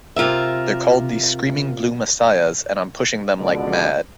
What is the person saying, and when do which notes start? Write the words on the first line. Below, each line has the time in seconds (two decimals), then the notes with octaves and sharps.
They're called The Screaming Blue Messiahs and I'm pushing them like mad.
0.16 C3 F4 A#4 E5
3.38 C#2 B2 D3 D5